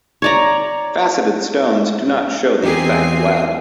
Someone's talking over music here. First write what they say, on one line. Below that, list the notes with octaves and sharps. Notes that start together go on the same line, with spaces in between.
Faceted stones do not show the effect well.
C#5 D5 A#5
E2 C4 D#4 G4 G#4 G#5 C7